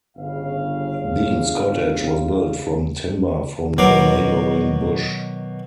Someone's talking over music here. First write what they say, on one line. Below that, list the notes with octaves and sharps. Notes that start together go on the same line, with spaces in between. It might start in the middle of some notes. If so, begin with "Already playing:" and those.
Deans Cottage was built from timber from the neighbouring bush.
G1 C#3 F5
B2 D#3 F#3 A#4 D6